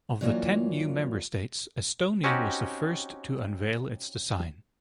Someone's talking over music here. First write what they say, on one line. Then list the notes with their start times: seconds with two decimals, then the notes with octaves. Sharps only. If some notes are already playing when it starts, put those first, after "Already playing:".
Of the ten new member states, Estonia was the first to unveil its design.
0.21 G2 E3 F#3 A#3 F4
2.24 C4 C#4 D#4 F#4 G4